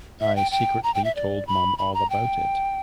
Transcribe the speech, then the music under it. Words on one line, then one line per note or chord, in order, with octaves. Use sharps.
I secretly told mum all about it.
E5
G5
G5
A#5
G5
E5
D5
B5
B5
A#5
G5